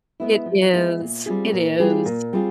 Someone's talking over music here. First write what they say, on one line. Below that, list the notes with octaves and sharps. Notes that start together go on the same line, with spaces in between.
It is. It is.
G#3 B3 E4
F3
G#3 B3 E4
A#2
G3 C4 F4 G#4
A#2
G3 C4 F4 G#4
A#2
G3 C4 F4 G#4